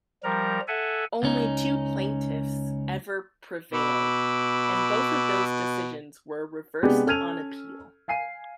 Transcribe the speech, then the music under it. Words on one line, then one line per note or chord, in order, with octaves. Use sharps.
Only two plaintiffs ever prevailed, and both of those decisions were reversed on appeal.
F3 G3 A#4 A#5
A4 E5 F#5 G#5
C#2 C#4 D#4
B2 B5 D6 E6
C3 G#3 B3 D4 G4
C#4 A4 F6 G#6 D#7 F7
F5 G#5 C7 D#7